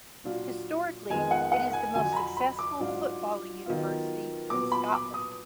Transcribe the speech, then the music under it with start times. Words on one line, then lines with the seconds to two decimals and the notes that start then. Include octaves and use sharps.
Historically it is the most successful footballing university in Scotland.
0.24 A#2 F#3 D4 F4
1.10 F2 D#3 G#3 B3 G#5
1.31 F#5
1.52 F#5
1.73 G#5
1.95 F2 D3 F#3 G#5
2.13 A#5
2.16 B5
2.37 B5
2.59 D6
2.80 G#2 F#3 D4 F4
3.66 D#3 F#3 B3 F4
4.50 A#2 F#3 B3 D6
4.72 B5
4.93 D6
5.14 D#6